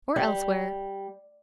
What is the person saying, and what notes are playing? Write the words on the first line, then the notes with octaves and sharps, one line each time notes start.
"Or elsewhere."
G3